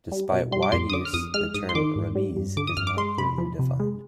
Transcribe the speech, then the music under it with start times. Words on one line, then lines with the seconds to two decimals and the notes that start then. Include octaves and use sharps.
Despite wide use the term Rabiz is not clearly defined.
0.12 G3
0.32 B2
0.52 G3 C6
0.63 D6
0.72 F2 C6
0.90 D#6
0.93 D3 D6
1.05 F6
1.13 F2 D#6
1.34 G#3 F6
1.54 G#2 D#6
1.69 C6
1.75 D#3 D6
1.96 G#2
2.15 G3
2.36 G2
2.57 D3 D6
2.67 D#6
2.77 G2 F6
2.87 D6
2.97 G#3 C6
3.18 C3 B5
3.38 F3
3.59 C3
3.80 G#3